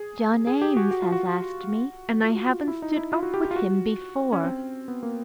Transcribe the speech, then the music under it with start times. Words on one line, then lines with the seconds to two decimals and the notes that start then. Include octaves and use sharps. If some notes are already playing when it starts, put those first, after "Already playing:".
John Eames has asked me, and I haven't stood up with him before.
Already playing: G#4
0.47 G#4
0.62 G4
0.77 F#4
0.91 F#4
1.02 F4
1.12 F#4
2.23 F4
2.35 F#4
2.48 F4
2.68 E4
2.82 D#4
2.97 E4
3.12 F4
3.23 F#4
3.34 G4
3.45 G4
3.51 F4
3.56 F#4
4.32 C#4
4.44 C4
4.88 B3
5.03 A#3